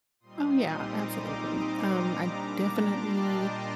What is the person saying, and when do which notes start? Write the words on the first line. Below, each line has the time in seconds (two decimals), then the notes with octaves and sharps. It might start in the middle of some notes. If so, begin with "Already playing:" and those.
Oh, yeah. Absolutely. Um, I definitely
0.20 A#2 G3 C4 D#4 C6 D#6
0.69 A#5 D6
1.15 A#5 D6
1.62 A#5 D6
2.09 A#2 G3 D4 A#5 D6
2.41 A#5 D6
2.72 A5 C6
3.04 D#5 G5